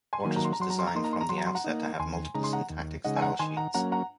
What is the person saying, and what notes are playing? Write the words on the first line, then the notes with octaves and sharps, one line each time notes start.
Fortress was designed from the outset to have multiple syntactic stylesheets.
G#5 C6
D#3 F#3 A#3
A#5
C6
A#5
F#3 C6
A#5
C6
A#5
A#3 D#4 C6
A#5
C6
A#5
F#3 C6
A#5
C6
F#5 A#5
A#3 D#4
D#2 G#5 C6
C#3 G#3 D#4 A#5
C6
F#5 A#5
D#2
C#3 G#3 D#4 D#5 F#5
G#5
F#5 A#5
D#3 G#5 C6
F#5 A#5
F#3 A#3 C#4 F#5 A#5
F#5 A#5